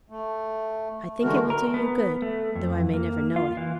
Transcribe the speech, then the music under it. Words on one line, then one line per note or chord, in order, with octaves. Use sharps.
I think it will do you good, though I may never know it.
A3
D3 E3 G#3 A3 F#4 A#4
A#4
B3
A3
F2
A#3
F4
E3